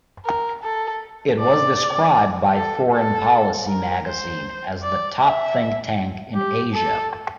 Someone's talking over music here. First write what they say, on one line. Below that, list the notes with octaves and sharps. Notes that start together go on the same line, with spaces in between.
It was described by "Foreign Policy" magazine as the top think tank in Asia.
A#4
A4
D5
A4
A4
A#4
C5
D5
E5
G4
A4